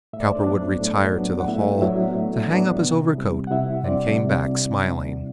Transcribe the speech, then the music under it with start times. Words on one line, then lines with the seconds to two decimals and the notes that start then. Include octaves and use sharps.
Cowperwood retired to the hall to hang up his overcoat and came back smiling.
0.13 A2 E5
0.20 D5
0.28 C5
0.35 D4 D5
0.47 F#3 B3 D4
0.81 A2
1.15 F#3 B3 D4
1.40 F#5
1.48 A2 E4 E5
1.82 F#3 B3 D4 E4 E5
2.16 A2
2.50 F#3 B3 D4
2.84 C3
3.18 G3 C4
3.47 F#5
3.51 C3 E4 E5
3.85 G3 C4 D4 D5
4.19 C3